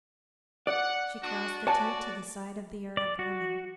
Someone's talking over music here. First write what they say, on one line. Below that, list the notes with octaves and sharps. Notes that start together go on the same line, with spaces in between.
She crossed the tent to the side of the Arab woman.
D5 F#5
D4 F#4
F#4 C#5 D5 G#5 A5
D5
F#4